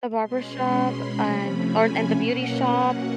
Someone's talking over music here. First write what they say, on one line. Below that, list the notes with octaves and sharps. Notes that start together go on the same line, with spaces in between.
The Barbershop and or, and The Beauty Shop,
B2 G#3 C#4 C6
B5
C3 F3 A3 C#4 B5
G#5
B2 F#3 A#3 C#4 F#5